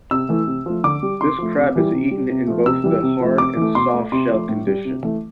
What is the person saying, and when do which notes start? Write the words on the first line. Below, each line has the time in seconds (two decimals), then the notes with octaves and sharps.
This crab is eaten in both the hard and soft shell condition.
0.11 C3 E6
0.29 E3 A3
0.47 C3
0.66 F3 A3
0.84 D3 D6
1.03 G3
1.20 C3 C6
1.38 F3 A3
1.57 C3
1.76 E3 G3
1.93 C3
2.11 G3
2.30 C3
2.47 F3 A3
2.66 C3 E6
2.84 E3 G3
3.03 C3
3.21 F3 A3
3.38 C3 D6
3.57 E3 A3
3.75 B2 C6
3.93 A3
4.12 C3 C6
4.30 F3 A3
4.49 A2
4.67 G3
4.85 C3
5.03 E3 A3